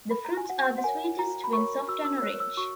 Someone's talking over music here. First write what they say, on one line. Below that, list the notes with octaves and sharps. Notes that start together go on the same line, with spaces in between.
The fruits are the sweetest when soft and orange.
B5
A#5
G#5
F#4 F#5
F#5
A#4 C#5 G#5
F#4 A#5
B5
A#4 C#5 C#6
F#4 E6
E6
E6
A#4 C#5 F#6
E6
F#4 C#6